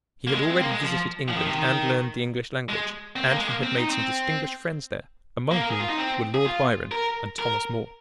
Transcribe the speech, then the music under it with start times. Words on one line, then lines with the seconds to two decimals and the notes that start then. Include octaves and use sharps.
He had already visited England and learned the English language, and he had made some distinguished friends there, among whom were Lord Byron and Thomas Moore.
0.27 A#3
0.35 G#3
0.50 C4
0.60 A#3
0.71 G#3
0.82 F3
1.28 F3
1.36 D#3
1.45 C3
1.53 D#3
2.69 G#3
3.16 C4
3.27 A#3
3.38 G#3
3.49 A#3
3.63 C4
3.77 D#4
3.90 C4
5.51 A#3
5.61 A#4
5.70 G#4
5.79 F4
5.89 D#4
5.98 C4
6.34 G#4
6.45 F4
6.92 A#4
7.39 A#4